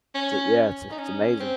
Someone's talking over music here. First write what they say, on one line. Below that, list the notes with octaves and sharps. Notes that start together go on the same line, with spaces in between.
so, yeah, it's a it's amazing.
C#4
D#4
C#4
C4